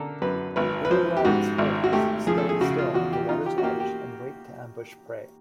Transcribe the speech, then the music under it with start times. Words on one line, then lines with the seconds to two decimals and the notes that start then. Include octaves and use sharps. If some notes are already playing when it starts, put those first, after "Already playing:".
"Butorides" herons stand still at the water's edge and wait to ambush prey.
Already playing: D3 A4 A#4
0.22 F#2 B4
0.56 G#1 B4
0.85 B4
0.91 F3 C5
1.17 G4
1.25 G#2 F#4
1.58 G#1
1.84 F#4
1.93 A3 G4
2.27 F3 G#4
2.38 A4
2.49 G#4
2.61 C#3 F#4
2.78 F4
2.94 E2 F#4
3.13 G4
3.29 D#4 F4
3.46 G4
3.58 F#4
3.63 A#3 G4
3.80 G4